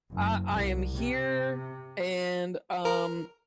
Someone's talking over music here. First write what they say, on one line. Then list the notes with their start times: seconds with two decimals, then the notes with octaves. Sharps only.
I I am here, and, um
0.11 F#1
0.50 C2
0.94 C3
2.85 A#4